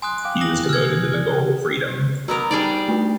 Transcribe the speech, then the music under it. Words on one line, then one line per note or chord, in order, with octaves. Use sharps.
He was devoted to the goal of freedom.
G#5 C6 D#6 F#6
F5 G5 D6
D#6 A#6 F#7
B2 E6 F6 G#6
D5
F#3 B3 F#4 A#4
G3 D#4 G#4 D5 A5
A3 D4